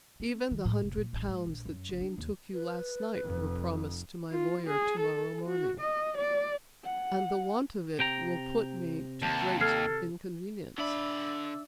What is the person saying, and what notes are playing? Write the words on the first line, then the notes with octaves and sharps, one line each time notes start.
Even the hundred pounds that Jane took you last night were promised to my lawyer to-morrow morning, and the want of it will put me to great inconvenience.
C4
D#3
A2
F1
A#2
A1
G#2
A#1
F#2
F#1
D4
D#2
B4
F1 F2
F4
G#4
A4
F#4
D#5
D5
F#5
C3 G5 A#5
D#2 A5
A4 F6 G#6 C7
D3 D4 D5 E5 B5 E6